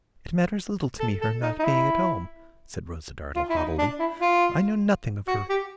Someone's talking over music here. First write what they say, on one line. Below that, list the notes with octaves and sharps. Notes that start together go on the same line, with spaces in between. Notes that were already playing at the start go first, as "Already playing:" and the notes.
'It matters little to me her not being at home,' said Rosa Dartle haughtily, 'I know nothing of her.
A4
A4
D#4
D#4
E4
F4
E4
D#4
D4
E4
F4
F#4
G4